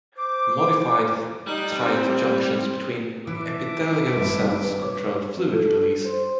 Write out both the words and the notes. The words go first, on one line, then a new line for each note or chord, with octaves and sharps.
Modified tight junctions between epithelial cells control fluid release.
C5 D6
G3 D#4 F#6
C4
E3 D4 E5 D6
G#1 G2 B4
C#5 D6
A4
C5